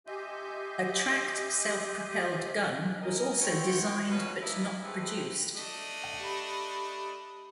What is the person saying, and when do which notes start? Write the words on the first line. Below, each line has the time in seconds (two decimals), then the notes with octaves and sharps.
A tracked self-propelled gun was also designed but not produced.
0.07 G4 D#5 E5 G#5 C6 G6
3.02 C#4 E4 A#4 D#5
3.40 C4 E4 F#4 C#5 G5
4.09 B2 C#4 D4 F4 F#4 B4
4.41 G2 E3 D#4 E4
4.83 A3 C4 G4 G#4 B4
5.55 A3 D4 D#5
6.20 G4 B5